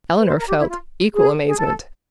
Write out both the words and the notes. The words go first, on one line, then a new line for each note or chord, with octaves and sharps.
Elinor felt equal amazement.
B4
C5
A#4
G4
E4
F4
G#4
G#4
A4